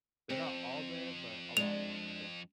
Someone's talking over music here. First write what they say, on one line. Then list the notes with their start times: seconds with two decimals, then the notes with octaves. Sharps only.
They’re not all there, but a lot of them are still.
0.30 F2 C4
1.57 G#3 D4 F7